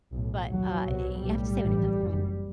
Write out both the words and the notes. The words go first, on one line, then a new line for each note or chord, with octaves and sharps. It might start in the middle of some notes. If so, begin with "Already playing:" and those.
But, uh, you have to say when it comes to when
B1 A2
D#2 F#3
C2 B2
B1 A2 G3
A1 G2
F#1 F#2